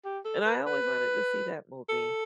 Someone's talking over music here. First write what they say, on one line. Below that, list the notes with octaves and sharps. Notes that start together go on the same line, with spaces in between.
and I always wanted to see that movie.
G4
A4
B4
B4
A4